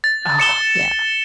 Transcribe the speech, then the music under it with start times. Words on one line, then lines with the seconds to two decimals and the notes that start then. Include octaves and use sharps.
Oh, yeah.
0.04 A6
0.40 C#7 E7 G7